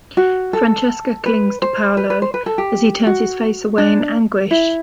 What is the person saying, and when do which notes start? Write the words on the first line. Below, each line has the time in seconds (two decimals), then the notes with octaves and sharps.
Francesca clings to Paolo as he turns his face away in anguish.
0.17 F#4
0.53 A4
1.26 B4
1.62 C5
1.97 B4
2.10 B4
2.22 C5
2.34 B4
2.46 A4
2.58 G4
3.07 F#4
3.78 D4
4.51 E4